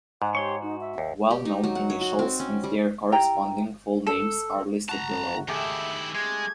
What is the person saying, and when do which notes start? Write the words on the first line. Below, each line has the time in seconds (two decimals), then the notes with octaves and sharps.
Well-known initials and their corresponding full names are listed below.
0.22 G#2 F#5
0.35 G4 C#5 C6 C#6
0.62 D#4 F#4
0.81 E5
0.98 D#2
1.30 G4
1.45 D#4
1.64 F#3
1.75 F#5
1.90 C#5
2.01 F#4
2.19 C4
2.40 C#4
2.64 G3
3.12 E4 G4 G5 A#5
4.07 A4
4.89 F#4 A5 A#5
5.48 D#3 A3 E4 G4 G#4
6.15 G#3 G#6